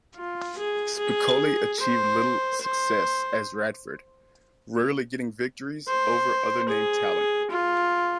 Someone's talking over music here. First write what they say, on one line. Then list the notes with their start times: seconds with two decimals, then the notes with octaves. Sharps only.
Spicolli achieved little success as Radford, rarely getting victories over other name talent.
0.16 F4
0.57 G#4
0.98 G#4
1.80 C5
2.61 C5
5.87 C5
6.69 G#4
7.51 F4